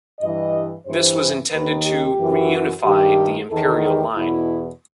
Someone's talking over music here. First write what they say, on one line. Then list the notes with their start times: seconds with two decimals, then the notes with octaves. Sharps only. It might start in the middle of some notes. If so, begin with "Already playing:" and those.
This was intended to reunify the Imperial Line.
0.20 G2 E3 D#5
0.86 G2 E3 C5
1.51 D#2 D#3 B4
1.85 G4
2.18 F#2 E3
2.83 G2 D#3 G4
3.49 E2 D#3 A4
3.82 G4
4.15 E2 B2 E4